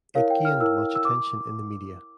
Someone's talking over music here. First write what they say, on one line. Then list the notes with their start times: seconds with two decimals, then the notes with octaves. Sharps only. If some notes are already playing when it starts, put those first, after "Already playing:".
It gained much attention in the media.
0.15 E4 A#4 C#5 F5
0.30 G5
0.45 F6
0.60 E4 A#4 C#5 E6
0.95 E6
1.05 D6